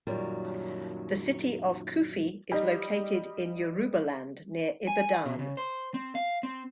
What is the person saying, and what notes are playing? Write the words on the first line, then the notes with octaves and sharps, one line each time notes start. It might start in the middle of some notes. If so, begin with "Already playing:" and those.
The city of Kufi is located in Yorubaland near Ibadan.
F#2 A#2 D#3 F#3 G3
G3 D#4
G#5
B2
C#3
C5
C4
F5
C4